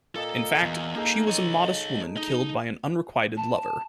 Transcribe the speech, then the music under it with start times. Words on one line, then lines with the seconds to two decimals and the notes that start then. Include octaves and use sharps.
In fact, she was a modest woman killed by an unrequited lover.
0.16 A#2 A4 D#5
0.63 E2
0.96 A#3 D#4 G#4 A4
1.28 C#5 D#5
2.17 D#4 D#5
3.37 A5